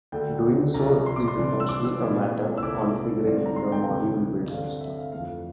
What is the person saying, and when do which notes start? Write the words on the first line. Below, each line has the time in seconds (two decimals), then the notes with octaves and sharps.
Doing so is mostly a matter of configuring the module build system.
0.12 D2 D3 A3 G5
0.74 C2 C3 F3 A#5
1.06 C6
1.16 D6
1.28 C6
1.38 C3 E3 G3 D4
1.60 E6
1.69 D6
1.85 E6
1.99 A#2 G3 C4 E4
2.57 E6
2.62 C2 A#2 A3 C4 E4 D6
3.25 G2 D3 G3 C4
3.46 A#5
3.56 C6
3.72 G5
3.88 D2 C3 E3
4.50 G2 D3 G3 C4 F5
4.81 E5
4.97 F5
5.12 F2 E3 A3 F5